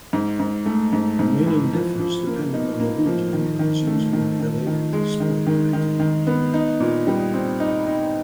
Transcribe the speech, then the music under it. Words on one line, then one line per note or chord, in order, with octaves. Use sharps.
The meaning differs depending on the region, but is usually related to sporting activity.
G#2
G#2
A3
G#2
G#2
E3
F3
F3
A#3
D#4
A#3
F3
D#3
D#3
A3
D#3
D#3
D#3
G#3
D#3
D#3
D#3
D#3
B3
D#4
A#2
G3
C4
D#4
D#4